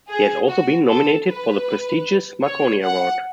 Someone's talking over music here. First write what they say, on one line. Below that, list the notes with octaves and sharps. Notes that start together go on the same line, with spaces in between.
He has also been nominated for the prestigious Marconi Award.
G#4
F#4
A4
B4
C#5
F#5